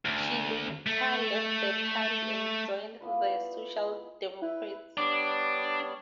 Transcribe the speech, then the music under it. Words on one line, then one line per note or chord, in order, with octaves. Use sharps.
She later left the party and joined the Social Democrats.
D2
A3
E3 B3 F4 B4
E4 B4
G3 B3 D4 C#5 D6